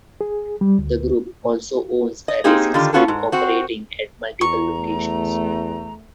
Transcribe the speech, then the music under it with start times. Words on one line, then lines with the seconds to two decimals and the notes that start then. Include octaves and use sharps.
The group also owns a racing school operating at multiple locations.
0.21 G#4
0.61 G3
0.79 D2
2.28 D#5
2.44 A#3 C4 D#4 G4 G#4
2.74 D3 D#3 F4 G4
2.93 B3 C#4 F4 F#4 G#4 A4
3.08 G#2
3.32 C4 F#4
4.41 E2 A#5 C#6
4.79 A3